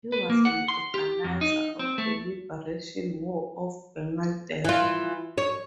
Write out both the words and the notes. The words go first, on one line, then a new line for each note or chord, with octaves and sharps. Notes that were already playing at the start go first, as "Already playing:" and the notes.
He was an organizer of the Liberation War of Bangladesh.
B4
A#3
F#5
C6
G4
F2
D#4
C4
A3
E3 F4
C#5